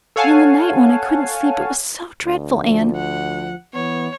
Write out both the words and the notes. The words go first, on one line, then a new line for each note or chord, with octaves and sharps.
But in the night, when I couldn't sleep--it was so dreadful, Anne.
A4 C#5 F5 F#5 G#5 A5
D2
F3
F#5
E3 B3 C#5